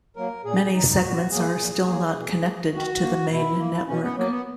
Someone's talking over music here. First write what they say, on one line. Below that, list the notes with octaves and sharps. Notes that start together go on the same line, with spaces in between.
Many segments are still not connected to the main network.
F#3 A#3 A#4
A#2 G#4
F#3 A#3 D#4
A#2 F#4
F#3 A#3 G#4
A#2
A#3
F#3
B2
A#3
D#3 F#4
A#3
B2 E4
A#3
B2 C#4
B3
F#3 A#3
B3